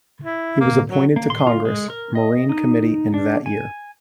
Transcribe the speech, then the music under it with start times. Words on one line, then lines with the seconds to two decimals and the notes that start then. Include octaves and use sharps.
He was appointed to Congress' Marine Committee in that year.
0.24 E4
0.60 A#3
0.90 F#3
1.16 A#3
1.30 C6
1.47 F4
1.65 G#3
1.90 A#4
2.15 D#5
2.49 D#4
3.14 D4
3.46 G#5